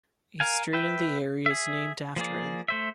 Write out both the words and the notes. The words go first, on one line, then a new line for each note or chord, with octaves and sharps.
A street in the area is named after him.
A#4 F5 G#5
B4 E5 G5
G#4 E5
F3 A#3 G#4 D5
A3 C5 E5